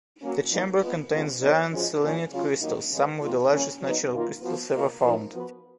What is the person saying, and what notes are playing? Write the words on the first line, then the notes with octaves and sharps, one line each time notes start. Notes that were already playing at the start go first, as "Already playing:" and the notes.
The chamber contains giant selenite crystals, some of the largest natural crystals ever found.
F#3 A#3 C#4
F2 F3 A#3 D#4
F3 G#3 B3
D#2 C#3 F3 G#3 B3
F#3 B3 D#4 A#4 C#5
F#2 F3 G#3
A#2 F3 A#3 C#4 G#4
C#3 F#3 C#4 F4
D#2 D#3 F#3 A#3 D#4
D#2 C#3 G#3 B3
F2 D#3 A#3 F4
C#3 F3 A#3 C#4
F#3 B3 D#4
F#2 D#3 A#3 F4 A#4
F3 B3 F#4
B2 A#3 F4 A#4
F#2 F3 A#3 D#4 A#4
F3 B3 F#4 B4